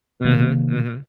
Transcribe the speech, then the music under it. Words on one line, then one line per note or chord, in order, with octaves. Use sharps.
Mhm, mhm.
C3 D#3 A#3